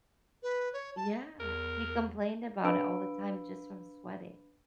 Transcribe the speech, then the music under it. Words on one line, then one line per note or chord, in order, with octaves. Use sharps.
Yeah. He complained about it all the time just from sweating.
B4
C#5
A5
E2 A#4
D4 B4 F5 B5 E6 D7